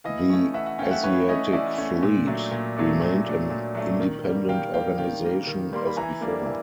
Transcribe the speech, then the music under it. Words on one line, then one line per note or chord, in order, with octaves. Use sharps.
The Asiatic Fleet remained an independent organization as before.
E3 D#5 F5
A3 C#4
E3 E5 F#5
E5 F#5
A3 C#4 F5 G5
E5 F#5
E3 B4 C#5
A3 C#4 C#5 D#5
E3 D5 E5
A3 C#4
A#2
F#3 A3 D4
A#2
F#3 A3 D4
A#2
F#3 A3 D4
A#2
F#3 A3 D4
D#3
G3 A#3
D#3 F5 G5
G3 A#3 F5 G5
D#3 F5 G5
G3 A#3
D#3
G3 A#3 C6
B5
E3 G#5 A#5
G3 A#3 D4
E3